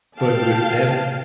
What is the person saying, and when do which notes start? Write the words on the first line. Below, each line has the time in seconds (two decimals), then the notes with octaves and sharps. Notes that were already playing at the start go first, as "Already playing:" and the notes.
but with them e
0.16 F5 G5 A5